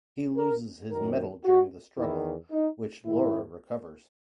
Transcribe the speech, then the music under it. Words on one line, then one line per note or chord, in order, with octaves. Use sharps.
He loses his medal during the struggle, which Laura recovers.
A#4
F#2 D#3 A#4
F#4
E2 D#3 E4
D#4
G#2 D#3 E4